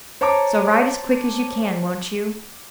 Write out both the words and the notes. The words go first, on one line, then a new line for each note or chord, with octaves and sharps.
So write as quick as you can, won't you?
C5 C#5 A5 A#5 D6